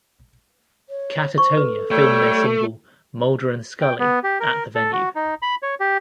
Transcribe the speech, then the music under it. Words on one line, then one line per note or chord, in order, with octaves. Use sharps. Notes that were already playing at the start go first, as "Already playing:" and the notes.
Catatonia filmed their single "Mulder and Scully" at the venue.
C#5
C5 C#6
A4 B4
G3 A3 C#5 G5
G5
B3
G4
A#4
A4
F#4
D#4
B5
C#5
G4